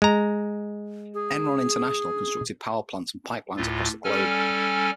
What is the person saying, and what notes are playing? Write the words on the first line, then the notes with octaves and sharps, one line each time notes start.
Enron International constructed power plants and pipelines across the globe.
G#3 A#5
G#4
D2 A2 F4
G3 C#4 A4 G#5 F6